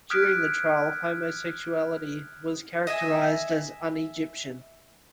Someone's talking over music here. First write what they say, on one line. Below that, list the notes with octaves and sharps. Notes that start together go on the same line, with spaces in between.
During the trial, homosexuality was characterized as "un-Egyptian".
D#6 F6 F#6 G#6 B6 D7
D#5 E5 G#5